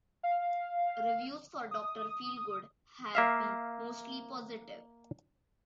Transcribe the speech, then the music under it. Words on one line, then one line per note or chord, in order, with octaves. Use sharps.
Reviews for "Doctor Feelgood" have been mostly positive.
F5
D#6
A#3 E5 F5